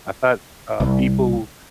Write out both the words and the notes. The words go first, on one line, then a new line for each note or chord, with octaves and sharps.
I thought, uh, people
C2